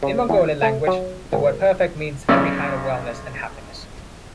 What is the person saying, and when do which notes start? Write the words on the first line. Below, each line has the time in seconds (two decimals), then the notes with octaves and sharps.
In Mongolian Language the word “Perfect” means every kind of wellness and happiness.
0.03 C#3
0.29 E2
0.62 A3
0.87 F#3
1.33 G#1
2.29 B1 C#3 C#4 D5 E6